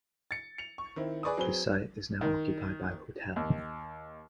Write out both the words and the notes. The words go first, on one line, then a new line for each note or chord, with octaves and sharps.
The site is now occupied by a hotel.
A6 C#7
C#7 F7
C#6
D#3 C4 E4
G#4 B4 D5 C#6 D#6
F#3 C4 G#4 B4 G7
D#3
D#2